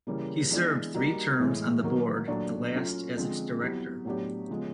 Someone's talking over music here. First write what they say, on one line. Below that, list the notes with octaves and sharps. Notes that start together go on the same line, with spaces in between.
He served three terms on the board, the last as its director.
C#3 E3 G3 A#3
E3 G#3 B3 D4
G3 A#3 D#4 F#4
A2 E3 G#3
D#3 F#3 A#3
A#2 F#3 A3 D4
F#3 A3 C#4 F4
D3 F3 G#3 C4
F#3 B3 E4 G4
A2 F#3 B3 D4 G4
C#3 F3 G#3 B3